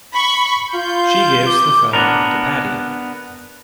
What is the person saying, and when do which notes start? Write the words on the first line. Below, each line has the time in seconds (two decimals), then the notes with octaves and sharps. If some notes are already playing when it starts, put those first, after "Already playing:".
She gives the phone to Patty.
0.13 B5 C#6
0.74 F4 G6
1.46 D6
1.93 B3 D4 A#4